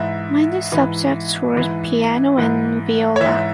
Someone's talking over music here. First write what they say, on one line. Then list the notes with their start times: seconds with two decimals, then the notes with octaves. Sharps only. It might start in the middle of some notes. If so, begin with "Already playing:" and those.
Minor subjects were piano and viola.
Already playing: G#2 E3 E5
0.72 G#2 E3
1.55 G#2 E3
2.38 G#2 E3
3.16 C#5
3.21 G#2 E3 E5